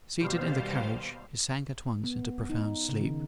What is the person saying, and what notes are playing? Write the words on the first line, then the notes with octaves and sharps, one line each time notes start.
Seated in the carriage, he sank at once into profound sleep.
D#2 B2 G3 C5 F5
B3
D#4
C#3
D#3